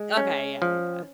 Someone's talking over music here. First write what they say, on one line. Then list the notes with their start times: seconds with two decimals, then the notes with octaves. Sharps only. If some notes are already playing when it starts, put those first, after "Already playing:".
Okay, yeah, yeah.
Already playing: G#3
0.17 C#4
0.62 F3